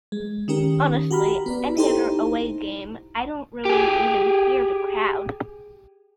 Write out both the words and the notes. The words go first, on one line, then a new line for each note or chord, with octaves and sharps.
Honestly, any other away game I don't really even hear the crowd.
G#3
D#3 C#4 G4 A#4
F#4 G4 A#5 B5 F6
B3 B4 D5
D#4 E4 G4 A4 C5 A#5
G4 G#4